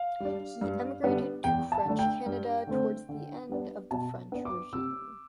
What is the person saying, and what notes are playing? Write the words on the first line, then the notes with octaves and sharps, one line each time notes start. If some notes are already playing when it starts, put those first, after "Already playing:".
He emigrated to French Canada towards the end of the French Regime.
Already playing: F5
G3 D4
G2
D3 G3 B3 D4
E2 G5
A5
D3 A3 D4
G5
G2
D3 A3 C4
D3
G3 B3 D4
B2 A5
B3 D4
D6
C3 E6